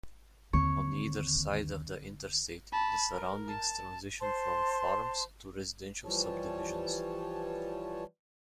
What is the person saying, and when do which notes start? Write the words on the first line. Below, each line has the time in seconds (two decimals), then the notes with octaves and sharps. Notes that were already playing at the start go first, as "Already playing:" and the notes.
On either side of the Interstate, the surroundings transition from farms to residential subdivisions.
0.53 D#2 D3 D#3 C4 C#5
2.72 A5 B5
3.11 A#4
3.49 A5
4.20 C5 A5 C6
6.05 E3 F3 G3 C#5 A5